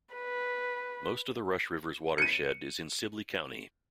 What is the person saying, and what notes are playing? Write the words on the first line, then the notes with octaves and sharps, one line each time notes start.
Most of the Rush River's watershed is in Sibley County.
B4
C#7 D#7